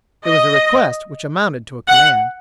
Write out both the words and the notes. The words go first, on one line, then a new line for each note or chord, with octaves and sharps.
It was a request which amounted to a command.
D#5
F#5